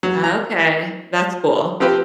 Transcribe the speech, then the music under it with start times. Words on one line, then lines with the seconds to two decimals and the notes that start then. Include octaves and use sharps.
Okay. That's cool.
0.03 F#3
0.24 A#5
1.80 F3 C4 G4 B4 C5